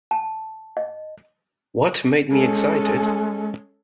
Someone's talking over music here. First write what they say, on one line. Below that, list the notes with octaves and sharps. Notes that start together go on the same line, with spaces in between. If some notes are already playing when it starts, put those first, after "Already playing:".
What made me excited?
A5
D#5
G#3 C#4 A4